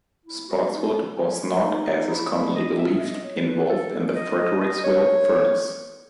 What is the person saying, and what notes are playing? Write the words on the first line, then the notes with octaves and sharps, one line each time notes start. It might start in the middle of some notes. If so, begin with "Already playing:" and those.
Spotswood was not, as is commonly believed, involved in the Fredericksville Furnace.
E4
F#4
D#4
C#4
C#4
D#4
E4
E4
D#5
E5
D#5
C#5
B4
A4
D#5
D#5
D#5
C#5